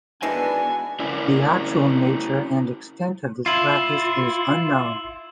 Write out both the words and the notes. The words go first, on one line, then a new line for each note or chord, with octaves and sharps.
The actual nature and extent of this practice is unknown.
D#3 E3 G#3 B3 D4 F#4 G#5
C#4 E4 A#4 D5
E4 F4